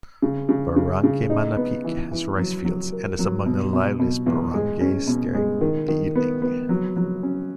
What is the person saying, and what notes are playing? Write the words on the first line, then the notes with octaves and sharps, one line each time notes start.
Barangay Manlapig has rice fields and is among the liveliest barangays during the evening.
C#3
C#3
C#3
C#3
D#4
B3
E3
E3
F#3
F#3
A#4
F#3
B2
B2
B2
E2
G#3
C#4
B2
G#3
D#3
D#3
B3
B3
F#3
F#3
C#4